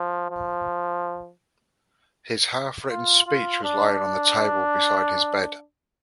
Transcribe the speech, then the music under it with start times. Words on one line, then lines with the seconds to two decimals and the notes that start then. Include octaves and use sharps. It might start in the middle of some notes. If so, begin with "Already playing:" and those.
His half-written speech was lying on the table beside his bed.
Already playing: F3
0.30 F3
2.90 F4
3.27 F4
3.64 D4